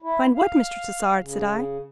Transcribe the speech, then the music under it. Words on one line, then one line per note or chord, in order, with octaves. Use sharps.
"Find what, Mr. Tassard?" said I.
E4
F5
C#3